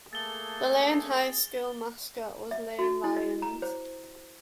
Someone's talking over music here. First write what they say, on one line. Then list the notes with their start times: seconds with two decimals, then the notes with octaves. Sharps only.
The Lane High School mascot was Lane Lions.
0.13 A3 A#3 G#4 A4 A6 G7
2.51 E5
2.79 F#4
3.04 E4
3.16 D#5
3.42 A#5
3.62 C5